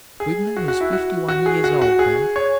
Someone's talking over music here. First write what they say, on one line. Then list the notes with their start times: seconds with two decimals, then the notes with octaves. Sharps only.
Whitman was fifty-one years old then.
0.20 G#4
0.56 F#4
0.68 F#4
0.81 E4
0.93 F#4
1.28 F#4
1.46 G#4
1.64 F#4
1.82 F#4
1.99 G#4
2.36 C#5